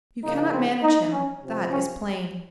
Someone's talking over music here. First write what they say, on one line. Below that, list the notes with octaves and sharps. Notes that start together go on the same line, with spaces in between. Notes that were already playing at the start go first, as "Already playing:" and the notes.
"You cannot manage him; that is plain."
C#3 F3 A#3 D#4
C4
D#4
C#4
C3 F3 C4
C#4